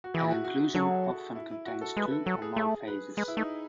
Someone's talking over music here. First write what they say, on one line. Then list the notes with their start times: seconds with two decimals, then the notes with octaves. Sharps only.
An inclusion often contains two or more phases.
0.04 F#4
0.14 E3 G#4
0.24 E4
0.30 F#4
0.45 F#4
0.74 F#3 A4
1.06 F#4
1.35 E4
1.51 E4
1.66 F#4
1.81 A4
1.97 G#3 B4
2.11 A4
2.26 F#3 A4
2.42 G#4
2.56 A3 G#4
2.87 B4
3.17 G#3 B4
3.28 E4
3.37 A3 D#4